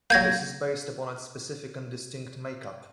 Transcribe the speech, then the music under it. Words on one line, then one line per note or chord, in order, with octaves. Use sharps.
This is based upon its specific and distinct makeup.
F#3 A#3 G6 G#6 A#6